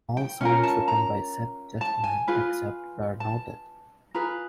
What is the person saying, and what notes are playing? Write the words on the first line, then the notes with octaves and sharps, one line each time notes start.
All songs written by Seth Justman except where noted.
G5
C#4 F4 A#4
A5
A#5
A5
G#5
F4 G#4 B4
A5
F4 G#4 B4 A#5